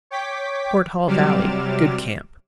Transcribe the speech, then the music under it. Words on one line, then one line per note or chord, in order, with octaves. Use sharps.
Fort Hall Valley.--Good camp.
C#5 G5 D6 B6
C3 F#3 G3 D6 F6 E7